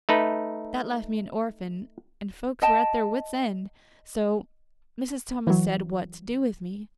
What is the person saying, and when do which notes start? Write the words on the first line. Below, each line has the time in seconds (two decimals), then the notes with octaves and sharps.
That left me an orphan and folks were at their wits' end, so Mrs. Thomas said, what to do with me.
0.09 A3 D#4 B4
2.62 D#5 G5 A5
5.47 E3 F#3